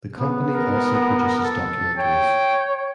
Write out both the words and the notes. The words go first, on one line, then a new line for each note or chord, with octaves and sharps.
The company also produces documentaries.
B3
A#4
A4
C#5 G5